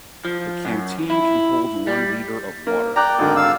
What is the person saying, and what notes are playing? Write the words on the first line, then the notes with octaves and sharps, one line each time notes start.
The canteen can hold one liter of water.
F3
F#2
E4
G3
A#3
D5 G5 A#5 F#6
G#1 D3 A#4
F5 E6